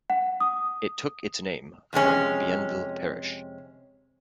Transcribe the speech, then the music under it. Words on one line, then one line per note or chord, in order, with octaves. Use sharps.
It took its name from Bienville Parish.
F#5
D#6
F2 C3 G#3 C#4